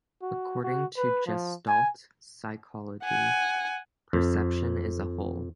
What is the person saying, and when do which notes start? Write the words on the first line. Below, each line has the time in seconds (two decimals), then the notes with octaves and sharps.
According to Gestalt psychology, perception is a whole.
0.22 F#4
0.63 F#4
0.97 B4
1.27 F3
1.68 G#5
3.04 F#5 G#5
4.13 F2